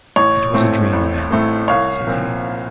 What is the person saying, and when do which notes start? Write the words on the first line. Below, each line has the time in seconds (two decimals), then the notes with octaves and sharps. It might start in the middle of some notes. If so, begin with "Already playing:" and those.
'It was a dream, then,' said he.
0.16 A1 C#5
0.54 A2 A3 C4
0.93 A1
1.31 A2 A3 C4
1.68 C2 C#5 F5
2.07 A#2 F3 C4